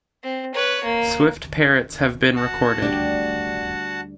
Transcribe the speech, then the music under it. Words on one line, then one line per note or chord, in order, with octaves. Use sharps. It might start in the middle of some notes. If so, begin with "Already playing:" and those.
Swift parrots have been recorded.
C4
B4 C#5
A#3
F#4 F#5 A5
D2 G3 D4